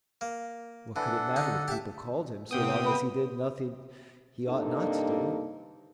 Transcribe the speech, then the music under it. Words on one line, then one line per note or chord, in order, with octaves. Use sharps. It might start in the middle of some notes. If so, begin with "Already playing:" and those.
What could it matter what people called him, so long as he did nothing he ought not to do?
A#3
E3 D4 A4 F#5
D3 D#4
G4 E5
C3 B3 G5 D#6
B4
G2 C3 A#3 D4 D#4 A4